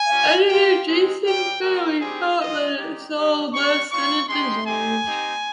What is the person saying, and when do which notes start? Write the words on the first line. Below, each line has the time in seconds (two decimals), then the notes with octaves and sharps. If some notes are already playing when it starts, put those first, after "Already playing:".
Editor Jason Fanelli felt that it sold less than it deserved.
Already playing: G#5
0.09 G3 C#4 F4
0.48 A#3 F4 G5
0.86 G#3 C4 D#4
1.23 G3 C#4 G4 G5
1.62 G#3 C#4 G4 A#4
2.00 G3 C4 G4 G#4
2.38 G#3 C4 F4 D#5
2.76 G#3 D#4 G4
3.14 G#3 C#4 G4
3.52 G3 C#4 G4 C#6
3.90 C4 F4 C#6
4.28 G#3 D#4 G4 C6
4.66 C4 D#4 G4 G#5
5.05 C4 D#4 G4